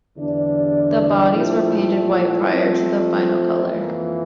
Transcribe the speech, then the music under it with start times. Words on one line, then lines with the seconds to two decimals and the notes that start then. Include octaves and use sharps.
The bodies were painted white prior to the final color.
0.16 E2 D3 G3 D4
1.32 A#2 F3 A3 C4 E4
2.48 F3 A3 C4
3.64 F2 E3 A#3